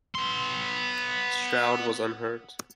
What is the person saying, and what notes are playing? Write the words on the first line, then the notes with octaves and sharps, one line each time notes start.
Stroud was unhurt.
B3 C6